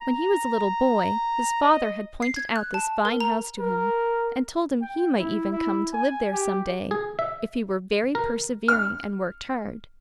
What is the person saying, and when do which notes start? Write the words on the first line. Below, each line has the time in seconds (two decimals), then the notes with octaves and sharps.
When he was a little boy his father had pointed out this fine house to him, and told him he might even come to live there some day, if he were very persevering and worked hard.
0.01 A#5
1.62 D#5
2.22 C7
2.36 G#6
2.56 F#6
2.74 A5
3.05 A#4
3.20 A#5
3.59 A#4
4.82 G5
5.19 E4
5.52 E4
5.93 G#5
6.33 G4
6.91 G#4
7.19 E5
8.15 A#4
8.68 F6